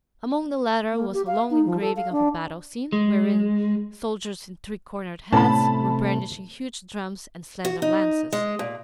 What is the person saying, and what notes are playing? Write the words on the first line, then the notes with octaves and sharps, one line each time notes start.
Among the latter was a long engraving of a battle scene, wherein soldiers in three-cornered hats were brandishing huge drums and slender lances.
A#3
G4
F5
D#4
F3
A4
F5
D4
G#3
A2 C3 A3 B3 C#4 A5 B5
F#4
D#4
G#3
A#2